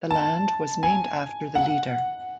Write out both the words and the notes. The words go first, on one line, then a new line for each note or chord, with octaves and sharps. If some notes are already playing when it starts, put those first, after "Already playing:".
The land was named after the leader.
A5
G#5
F#5